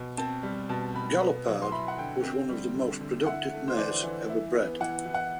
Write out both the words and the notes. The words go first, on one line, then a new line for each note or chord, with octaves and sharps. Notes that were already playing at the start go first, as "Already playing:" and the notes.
Galopade was one of the most productive mares ever bred.
Already playing: B2
C4 A5
G3
B2 A5
B2 B5
B3
F#3
C6
E4 B5
F#5
D3 G5
C4
G3
D3
D3
E4 F#5
A3
C5
E3 D5
E3
E4
B3
E3 F#5
E3
F#5